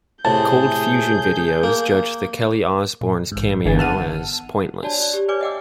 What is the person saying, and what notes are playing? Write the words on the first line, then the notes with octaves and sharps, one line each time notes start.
Cold Fusion Video judged the Kelly Osbourne cameo as "pointless".
A2 C3 G#4 A5 G6
A#3
A#2
A1 G#2
G1 D3 E3 B3 G#4 A6
F#5 A5 E6 F6 D#7
D4 F#4 C#5 D5 A5
C5 D5
G4
B4 C#5 D5 G#5 D6
D#5 E5 F#5 G5 D6 E6